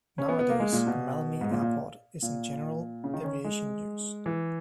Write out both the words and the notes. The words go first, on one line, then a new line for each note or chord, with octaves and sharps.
Nowadays Malmi Airport is in general aviation use.
C#4
B3
B3
A#3
G#3
A#2
B2
G#2
A#2
A#2
A#2
C#3
D#3
C#4
G#3
E3